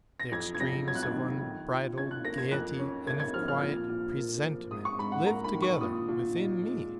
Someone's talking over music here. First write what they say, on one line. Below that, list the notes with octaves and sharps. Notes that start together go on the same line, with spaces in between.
The extremes of unbridled gayety and of quiet presentiment live together within me.
A#6
F2 G#6
G#6
F2 A#6
F#3 G#6
F#6
G#6
D#3
D#3
F4
C#4 G#6
F#6
A#3 A#6
G#6
F2 F#6
C#4
A#3 G#6
G#6
F3 F6
F6
A#2
A#2
A#3
F3
G#2 D#6
C#6
G#2 B5
F#5
A#3 A#5
B5
D#3
C#6
A#2 D#6
A#2
D#4
G#3